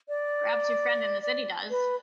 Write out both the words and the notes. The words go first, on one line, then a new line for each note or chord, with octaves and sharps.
Perhaps your friend in the city does.
D5
D5
B4